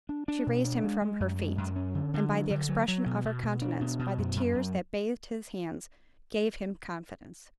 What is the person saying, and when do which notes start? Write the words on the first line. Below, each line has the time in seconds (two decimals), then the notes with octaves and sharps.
She raised him from her feet, and by the expression of her countenance, by the tears that bathed his hands, gave him confidence.
0.09 D4
0.28 D4
0.47 B2
0.65 D4
0.84 G#3
1.01 G#3
1.20 F#2
1.39 G#3
1.58 F#2
1.76 C#4
1.95 D3
2.14 D3
2.31 F#3
2.51 D3
2.69 F#3
2.88 F#3
3.06 B2
3.25 B2
3.43 B2
3.62 D4
3.81 B2
3.99 B2
4.18 F#2
4.36 F#2
4.55 F#2